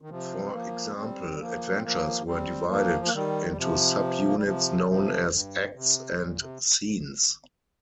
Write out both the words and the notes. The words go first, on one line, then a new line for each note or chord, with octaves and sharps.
For example, adventures were divided into sub units known as "acts" and "scenes".
D#3
C3 F3
C4
F3 A#3
G3 C4
G3
F3 A#3
C4
F3 A#3
G3 C4
F3 A#3
A#3
D#3 G3
G3
C3 F3
A#3
G3
C3 F3
G3
C3 F3
G2
C3
A#2
C3